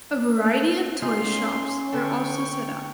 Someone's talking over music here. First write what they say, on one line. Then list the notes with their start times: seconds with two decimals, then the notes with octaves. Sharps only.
A variety of toy shops are also set up.
1.02 C#4 D#4 F4 G#4 C6
1.92 D3 A4 G5 C#6